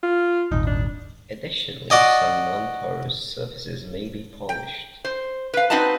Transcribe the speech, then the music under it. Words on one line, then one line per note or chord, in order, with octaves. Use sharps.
Additionally, some nonporous surfaces may be polished.
F4
D#1 G#1 D#4
D4
F#4 D5 D#5 G#5
G5
C5
B4 F5
C4 D#4 F#4 B4 D#5 A5